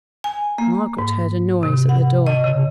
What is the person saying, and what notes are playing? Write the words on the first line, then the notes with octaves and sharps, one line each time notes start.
Margaret heard a noise at the door.
G#5
A#3
G#2
C3
F#5
D#5
C#3